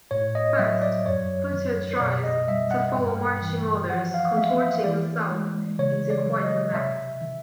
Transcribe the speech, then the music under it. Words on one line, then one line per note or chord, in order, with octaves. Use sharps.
First, Pluto tries to follow marching orders, contorting himself into quite a mess.
A2 C#5
D#5
F#3 E5
D5
F#2 C#5
D#3
B2 D5
D#5
G3 E5
F#5
G2 G5
E3
F3 F#5
F5
A#3 E5
E5
E3 D5
G#3
C#3 C#5
D5
F#3
D#5
C3 E5
D#3